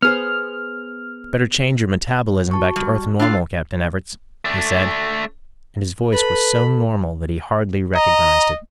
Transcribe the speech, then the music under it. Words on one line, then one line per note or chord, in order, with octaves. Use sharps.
"Better change your metabolism back to Earth-normal, Captain Everts," he said, and his voice was so normal that he hardly recognized it.
B3 G#4 C5 F6
F#4 A5 C#6
G3
D4 F4 F5 E6 A6 C7
A3 D4
A4 B4 A5 B5
D#5 A#5